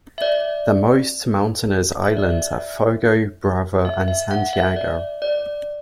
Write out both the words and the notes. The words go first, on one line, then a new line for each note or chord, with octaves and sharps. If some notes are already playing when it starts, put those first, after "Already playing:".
The most mountainous islands are Fogo, Brava and Santiago.
E5
D5
E5
D5
E5
E5
E5
F#5
E5
D5
D5